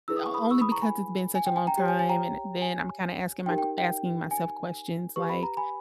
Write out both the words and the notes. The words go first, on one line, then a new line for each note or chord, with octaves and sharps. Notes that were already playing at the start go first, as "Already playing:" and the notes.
only because it's been such a long time and then I'm kinda asking my q asking myself questions like
E4 G#4 B4 E6
D#6
C#6
B5 D#6
C#6 E6
B5 D#6
A#5 C#6
G#5 B5
G#5
G5
G#5
G5 A#5
G4 C#5 G5
G#5
G#5
G5 A#5
G#5
D#4 G4 A#4 G5
G5
G5
G#5
G4 B4 C#6
B5
A#5
G#5 B5